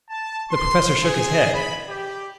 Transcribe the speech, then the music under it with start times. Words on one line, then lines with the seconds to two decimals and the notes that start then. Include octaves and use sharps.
The Professor shook his head.
0.10 A5
0.51 C6
1.03 G#4
1.54 B5
1.88 G4